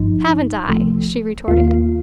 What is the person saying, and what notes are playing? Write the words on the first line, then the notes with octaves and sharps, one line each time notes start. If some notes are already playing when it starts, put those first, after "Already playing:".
"Haven't I!" she retorted.
Already playing: G1 G2 F3 D#4
C2 C3 F3 A3
D#2 D#3 A#3 F4